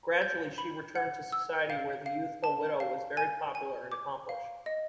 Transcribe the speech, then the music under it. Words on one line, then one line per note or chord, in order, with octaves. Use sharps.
Gradually she returned to society where the youthful widow was very popular and accomplished.
G6
B5
F#5
E6
F5
F5
A5
F5
G#5
G#5
D6
F5
D#5